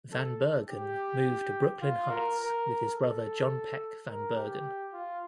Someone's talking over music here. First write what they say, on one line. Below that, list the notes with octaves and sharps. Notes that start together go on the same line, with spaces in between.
Van Bergen moved to Brooklyn Heights with his brother John Peck Van Bergen.
A4
G4
F4
A#4
A#4
A4
A#4
G4
F4